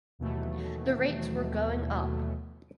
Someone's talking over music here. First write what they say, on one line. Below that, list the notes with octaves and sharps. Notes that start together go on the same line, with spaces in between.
The rates were going up.
D#2 B2 E3 F#3 A3